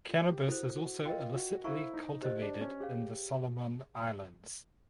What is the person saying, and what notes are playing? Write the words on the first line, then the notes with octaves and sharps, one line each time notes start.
Cannabis is also illicitly cultivated in the Solomon Islands.
F4
G4
E4 F#4 A4 C5
F#4
F4 A#4 D#5 G5
F#4
E4 A4 C5 F5 A#5 C#6
D#4
G4 C5 D#5
D4
C#4
G4 G#4 C#5 F5